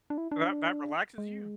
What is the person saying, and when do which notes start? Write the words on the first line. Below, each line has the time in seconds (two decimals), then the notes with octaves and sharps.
That that relaxes you?
0.10 D4
0.18 E4
0.32 D4
1.18 G#3